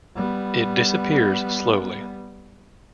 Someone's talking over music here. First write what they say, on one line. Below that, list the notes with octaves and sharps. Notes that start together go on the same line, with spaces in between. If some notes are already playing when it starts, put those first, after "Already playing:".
It disappears slowly.
G3 B3